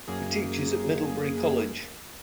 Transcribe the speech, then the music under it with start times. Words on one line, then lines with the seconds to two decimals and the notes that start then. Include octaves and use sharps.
He teaches at Middlebury College.
0.08 F#2 A#3 G#4